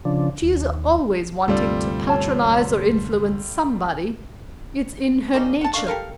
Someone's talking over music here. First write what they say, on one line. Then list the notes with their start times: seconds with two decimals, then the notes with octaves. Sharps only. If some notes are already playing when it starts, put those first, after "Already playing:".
She is always wanting to patronize or influence somebody. It's in her nature.
0.05 C#3 F3 D4
0.42 D#2
1.48 D2 G2 C3 G3 F4 G4 A4 D5
2.07 C#5 A5
5.34 G3 A#3 C#4 D#4
5.61 F#5 A5
5.74 D4 A#4 F5 C#6
5.87 G4 A4 A#4 F5